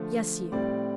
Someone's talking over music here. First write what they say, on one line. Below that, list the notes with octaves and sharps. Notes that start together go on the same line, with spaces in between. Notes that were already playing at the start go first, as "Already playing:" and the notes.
"Yes, you."
Already playing: D3 F3 A3
A2 G3 C4 D5